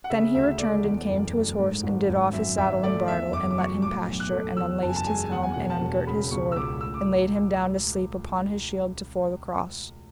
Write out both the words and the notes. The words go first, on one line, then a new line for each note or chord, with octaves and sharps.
Then he returned and came to his horse and did off his saddle and bridle, and let him pasture, and unlaced his helm, and ungirt his sword, and laid him down to sleep upon his shield to-fore the cross.
F#5
C#3 E5
D2 E5
A3 D5
E2
F#1
A3
G#2
G#1
G#1
F#2 E5
G#1 E5
A3 D5
E2 E5
F#1 D6
D6
F#3 C#6
A2 D6
B1
F#6
A3
E2 E6
F#1 A5
G#5
A5
G#3 G#5
E2 F#5
G#5
E1 F#5
A5
E1
C#3 B5
C#2 C#6
E6
C#2 D6
A2 E6
D6